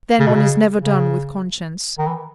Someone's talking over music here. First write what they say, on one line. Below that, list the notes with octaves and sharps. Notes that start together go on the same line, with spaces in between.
Then, one is never done with conscience.
C#3
B2
C#3
C#3
D#3
E3